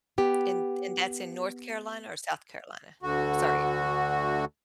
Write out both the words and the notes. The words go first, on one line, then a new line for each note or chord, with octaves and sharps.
And and that's in North Carolina or South Carolina? Sorry, wh
B3 G4
D2 D3 F#4